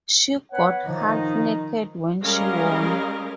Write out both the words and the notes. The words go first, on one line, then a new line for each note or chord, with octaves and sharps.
She got half naked when she won.
B3 B4 C#5 F#5
D#3 F3 D#4
G3 G#3 C#4 A#4 D#5 F5